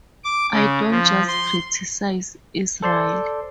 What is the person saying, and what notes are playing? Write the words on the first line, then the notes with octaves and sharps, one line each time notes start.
I don't just criticize Israel.
D6
C#3
F3
C6
A4 C5 D5 C6